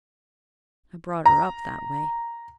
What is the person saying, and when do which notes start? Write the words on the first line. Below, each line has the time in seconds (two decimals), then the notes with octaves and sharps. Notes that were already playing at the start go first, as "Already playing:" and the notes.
I brought her up that way.
1.26 A#5